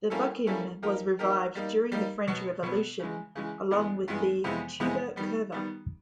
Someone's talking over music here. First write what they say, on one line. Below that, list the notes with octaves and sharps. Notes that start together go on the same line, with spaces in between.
The buccin was revived during the French Revolution, along with the "tuba curva".
G3 A#3 C#4 E4 A4
G3 A#3 C#4 E4 A4
F3 A#3 D#4 G4 A#4
F3 A#3 D#4 G4 A#4
G3 A#3 D#4
G3 A#3 D#4
B2 F#3 B3
B2 F#3 B3
C#3 E3 G#3
C#3 E3 G#3
G2 E3 G#3 B3
G2 E3 G#3 B3
F2 C3 E3 G#3 B3
F2 C3 E3 G#3 B3
D#3 G3 B3
D#3 G3 B3